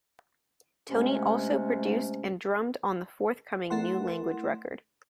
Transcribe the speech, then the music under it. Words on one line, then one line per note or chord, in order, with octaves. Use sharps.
Tony also produced and drummed on the forthcoming New Language record.
C3 G#3 A3 C#4
A3 E4 A#4 F#5 C6